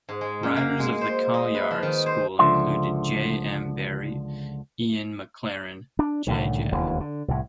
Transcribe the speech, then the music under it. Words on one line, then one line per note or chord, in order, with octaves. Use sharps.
Writers of the Kailyard school included J. M. Barrie, Ian Maclaren, J. J.
G#2
G#3
F#2
A#3
G#3
C5
D#5
B4
F3
D#3
C5
C#2 D3 F3 E5 C6
D4
C2 A2 D3 D#3
E1 D#2 D3 E3
D3
C2 A2